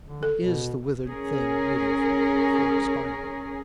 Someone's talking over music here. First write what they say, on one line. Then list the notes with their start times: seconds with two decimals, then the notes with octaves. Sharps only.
What is the withered thing waiting for, before expiring?
0.05 D3
0.23 A4
0.41 B2
1.06 C#4 G#4 A#4